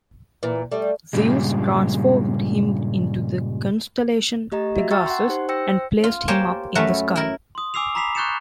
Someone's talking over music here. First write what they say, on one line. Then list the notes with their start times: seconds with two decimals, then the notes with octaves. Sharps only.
Zeus transformed him into the constellation Pegasus and placed him up in the sky.
0.43 A#2 E3
0.72 G3 A3
1.13 G2 A#2 C#3 G3 G#3
4.52 A3 G4 D#5 A#5
4.76 F#4 E5
4.91 G5 A#5 C#6 E6 A6
5.06 F#5 C6
5.28 D#4 G4 C5
5.49 C5 G5 E6 A#6 C#7
6.04 F4
6.28 A#3 G4 C5 C#5 G#5 A5
6.75 F#2 F#3 A3 C#4 B4 E5
7.16 E4 A#4
7.55 C6 D#6
7.74 G#5 D6 E6 C7 F7
7.95 A#5 B5 D6 B6 C7 F7
8.15 C#6 F#6 G6 A6 C#7 E7